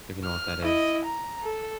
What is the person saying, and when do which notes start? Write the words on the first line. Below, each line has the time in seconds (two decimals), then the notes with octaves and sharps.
if you know what that is.
0.24 F6
0.61 E4 D#5
1.05 A#5
1.43 A4